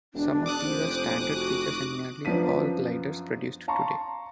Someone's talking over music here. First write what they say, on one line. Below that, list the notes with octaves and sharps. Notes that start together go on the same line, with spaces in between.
Some of these are standard features in nearly all gliders produced today.
E1 D4
D6 D#6 F#6
F1 C5
F#4
F#2 F3 B3 D4 B6 D#7
F5 A5 A#5 C6 C#6